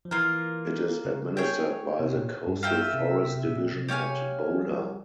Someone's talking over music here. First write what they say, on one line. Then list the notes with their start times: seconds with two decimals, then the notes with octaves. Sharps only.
It is administered by the Coastal Forest Division at Bhola.
0.05 F3
0.11 E3 A#3 F4 A#4
1.05 C#3
1.37 G#4 C#5 G5
2.00 C3
2.16 A#2
2.47 G2
2.63 F4 A#4 E5 G5
2.94 C3
3.25 C3
3.36 C3
3.46 A#2
3.56 A#2
3.72 C3
3.88 G4 C#5 F5 G#5
4.50 E3
4.62 G3
4.72 F3
4.82 G3